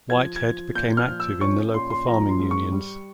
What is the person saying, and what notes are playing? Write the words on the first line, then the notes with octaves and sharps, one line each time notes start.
Whitehead became active in the local farming unions.
F3 G#6
G#6
F3
A#2 G6
F6
F3
E6
C#4 C#6
A#2 C6
C6
F3 A#5
C6
G#2
C#6
G3